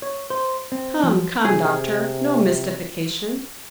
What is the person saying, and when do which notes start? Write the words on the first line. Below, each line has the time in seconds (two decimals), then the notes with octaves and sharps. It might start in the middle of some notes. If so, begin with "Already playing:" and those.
"Come, come, Doctor, no mystification."
0.02 C#5
0.30 C5
0.72 C4
1.03 F3
1.45 C3 G#4